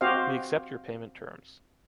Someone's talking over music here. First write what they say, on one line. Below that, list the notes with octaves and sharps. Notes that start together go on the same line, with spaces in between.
We accept your payment terms.
C4 F#4 G4 C5 D#5 F5